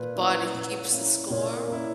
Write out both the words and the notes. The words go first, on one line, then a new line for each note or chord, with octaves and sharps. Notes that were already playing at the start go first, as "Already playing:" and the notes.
The Body Keeps the Score?
Already playing: A#2 B4
A#3 C#4 E4
A#2
A#3 C#4 E4
A#2 C#5
A#4
A#3 C#4 E4